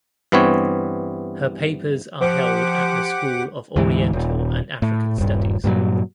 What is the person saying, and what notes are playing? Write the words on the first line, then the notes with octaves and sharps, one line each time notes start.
Her papers are held at the School of Oriental and African Studies.
G2 E3 B3 C4 C#5
F3 G4 C5 F#5 D6
D2 G#2 E3
D#1
A2
D#1 G2
G2 A#2 D#3 F#3